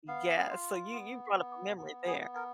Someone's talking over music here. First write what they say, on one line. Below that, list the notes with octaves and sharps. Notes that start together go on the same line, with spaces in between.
Yeah, so you you brought up a memory there.
B3 F5
F4
B3
B3
B3
G#4
B3
A#4